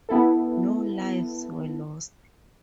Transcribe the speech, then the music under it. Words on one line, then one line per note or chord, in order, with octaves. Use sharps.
No lives were lost.
B3 E4 A4